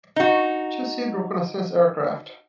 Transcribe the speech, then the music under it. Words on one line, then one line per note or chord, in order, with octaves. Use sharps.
Two-seat reconnaissance aircraft.
D#4 F#4